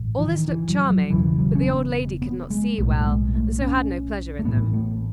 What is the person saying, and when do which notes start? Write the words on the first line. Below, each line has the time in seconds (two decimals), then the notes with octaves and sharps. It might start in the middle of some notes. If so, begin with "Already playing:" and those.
All this looked charming, but the old lady could not see well, and so had no pleasure in them.
Already playing: A1 A2
0.19 E3
0.27 D#3
0.48 E3
0.69 F#3
0.90 F#3
1.10 E1 E2 C#3 E3
1.38 F#3
1.55 C#4
1.67 B3
2.22 B3
2.50 G#3
2.78 B1 A2 A3
3.00 A3
3.05 G#3
3.34 A3
3.62 C#4
4.39 A3
4.45 A1 A2 B3
4.73 A3